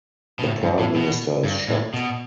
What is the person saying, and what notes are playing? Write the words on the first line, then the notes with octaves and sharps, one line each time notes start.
The Prime Minister is shocked.
B2
A2
G2
A2
B2
G2
A2
B2